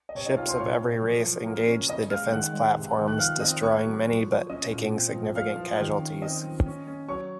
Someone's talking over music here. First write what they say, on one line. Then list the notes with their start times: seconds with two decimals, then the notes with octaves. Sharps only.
Ships of every race engage the defense platforms, destroying many but taking significant casualties.
0.09 D#5
0.15 C3 C#5
0.26 D#4 D#5
0.37 C3 F4 F5
0.48 C5 C6
0.58 A#2 C#5 C#6
0.80 A#2
1.03 F3
1.25 F3
1.46 A#3
1.67 C#4
1.88 C#3 D#5 D#6
2.10 G#3 F5 F6
2.32 D#3 F#5 F#6
2.53 G#3
2.76 C3
2.98 D#3
3.08 F#6
3.19 F3 F5 F6
3.40 C4 D#5 D#6
3.63 A#3 C#5 C#6
3.84 F#3
4.06 F3
4.28 F3
4.50 C#4 D#5 D#6
4.71 A#2
4.93 C4
5.13 F3
5.35 F3 F5 F6
5.57 F3
5.79 D#3
6.01 C#4
6.22 C4 D#5 D#6
6.44 F3
6.66 C#4
6.87 C#4
7.09 F#3 C#5 C#6